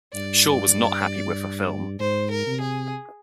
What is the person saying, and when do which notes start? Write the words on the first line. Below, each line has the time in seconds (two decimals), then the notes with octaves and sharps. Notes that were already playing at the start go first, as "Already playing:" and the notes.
Shaw was not happy with the film.
0.14 G2 D5
2.00 G#2 C5
2.32 A#4
2.47 C3
2.61 G#4